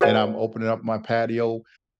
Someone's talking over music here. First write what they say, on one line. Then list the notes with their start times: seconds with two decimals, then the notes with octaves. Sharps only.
and I'm opening up my patio,
0.01 F#4 G#4 B4 C#5 F5 G#5